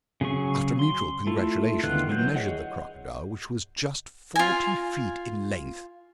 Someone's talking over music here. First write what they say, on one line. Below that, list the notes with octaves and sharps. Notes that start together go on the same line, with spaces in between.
After mutual congratulations, we measured the crocodile, which was just forty feet in length.
C#3 F#3 G#4 C#6
C6
A3 E4 F4
D3 D#3 B3 F4 F#6
E3 F#3 G6
G#4 C#5 D#5 F#5
F4 G#5